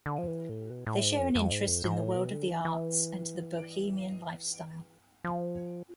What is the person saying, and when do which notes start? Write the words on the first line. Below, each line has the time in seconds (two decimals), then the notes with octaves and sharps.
They share an interest in the world of the arts and the Bohemian lifestyle.
0.06 D3
0.18 F3
0.27 E3
0.49 A2
0.70 B2
0.87 A2
1.03 G#2
1.19 F2
1.35 F2
1.52 G#2
1.68 F2
1.84 G#2
2.00 A2
2.16 B2
2.32 D3
2.49 E3
2.65 E3
5.24 F3